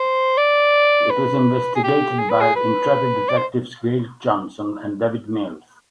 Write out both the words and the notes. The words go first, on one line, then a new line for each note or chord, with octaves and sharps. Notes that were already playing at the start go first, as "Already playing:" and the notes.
It is investigated by intrepid detectives Gail Johnson and David Mills.
Already playing: C5
D5
B4
G#4
G4
G#4
B4
G#4
B4
D5
C5